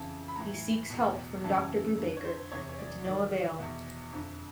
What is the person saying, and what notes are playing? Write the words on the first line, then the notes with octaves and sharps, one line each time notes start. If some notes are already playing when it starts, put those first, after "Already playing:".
He seeks help from Doctor Brubaker, but to no avail.
Already playing: F2 C#3 E3 A5
B5
A2 E3 A#5
E2 B2
F#2 C#3 E3 A5
F2 D3
C#5
C5
E2 C3 E3 C#5
C#5
D5
G#2 D#3 D5
E2 B2 E5
F2 D3